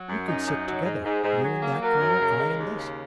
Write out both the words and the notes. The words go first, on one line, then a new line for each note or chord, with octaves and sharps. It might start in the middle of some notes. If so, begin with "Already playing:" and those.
We could sit together, you in that corner, I in this.
Already playing: F#3
F#2
C#4 D#4
F#2
F#3 D#4
G#2
G#2 G#4
G#2
F#3
A#3
F#3 A#4
F#2
C#3
G#3
D#2
C#3